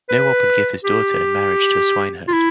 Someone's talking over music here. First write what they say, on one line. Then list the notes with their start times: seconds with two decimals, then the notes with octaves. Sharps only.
No one would give his daughter in marriage to a swineherd.
0.09 B4
0.84 G4
2.28 F4
2.33 E4